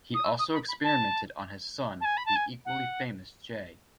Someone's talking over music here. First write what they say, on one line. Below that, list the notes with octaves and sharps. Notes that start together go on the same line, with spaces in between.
He also experimented on his son, the equally famous J.
D#6
E6
D#6
B5
B5
A5
A5
G#5
B5
A5
G#5
F#5